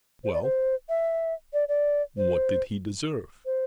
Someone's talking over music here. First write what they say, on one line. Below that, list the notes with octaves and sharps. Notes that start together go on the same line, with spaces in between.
Well--what did he deserve?
C5
D5
C5
E5
D5
D5
C5
C5